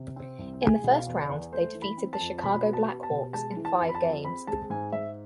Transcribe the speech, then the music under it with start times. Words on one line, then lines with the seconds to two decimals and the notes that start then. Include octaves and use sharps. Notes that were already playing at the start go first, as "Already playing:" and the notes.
In the First Round they defeated the Chicago Blackhawks in five games.
Already playing: C3
0.16 C4
0.39 C2
0.62 G#3 G#5
0.84 B2
0.91 F5
1.07 E2
1.22 D5
1.29 E2
1.52 A3 C5
1.75 E3
1.82 B5
1.98 C4
2.13 A5
2.20 F2
2.38 A5
2.43 B2 B5
2.66 B3
2.73 A5
2.88 B3
3.03 A5
3.11 B2
3.33 G#3 A5
3.57 E3
3.65 A5
3.80 F2
3.89 B5
3.95 A5
4.02 F2
4.25 C4 B5
4.47 G#3 A5
4.70 G#2 G#5
4.92 G#2 E5